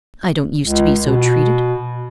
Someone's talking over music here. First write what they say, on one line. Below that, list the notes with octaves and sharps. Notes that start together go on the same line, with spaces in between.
I don't use to be so treated.
C#2
B2